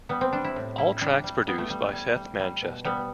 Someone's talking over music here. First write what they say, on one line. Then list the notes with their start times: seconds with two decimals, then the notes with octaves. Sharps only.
All tracks produced by Seth Manchester.
0.09 G3 B3
0.21 C4
0.33 G3 D4
0.44 E4
0.56 A2
0.78 G3 E4
1.01 G3 D4
1.24 G3
1.47 G3 B3
1.58 A3
1.70 G3
1.82 A3
1.93 G3
2.16 G3
2.39 G3
2.62 B2
2.85 G3 B3